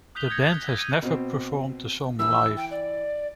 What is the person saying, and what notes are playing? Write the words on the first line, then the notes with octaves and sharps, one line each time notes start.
The band has never performed the song live.
D#6 F#6 G6 B6 F7 G7
D#6 G6 G#6 A#6 C#7 F7
B6
E6 F#6 B6
C#7 D#7
B2 C4
E3 E4 E6
G5
D5